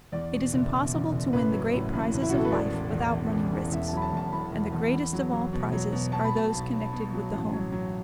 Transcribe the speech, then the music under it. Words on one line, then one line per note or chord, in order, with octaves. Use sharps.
It is impossible to win the great prizes of life without running risks, and the greatest of all prizes are those connected with the home.
E2 D5
B2
F#1
B2
E2
F#1
A1 B4
F#3
A2
A1
A1
E4
F#4
A1
A4
B4
E1 D5
E1
E2
E1
E3
E1
E2 E5
A5
F#3 B5
A5
E2 A5
E2 B5
E2
E2
E2
F#3
F#3
B2
F#3
B2
B2 A5
B5
B2 A5
B1
B1
B2
F#3
A1
F#3
F#3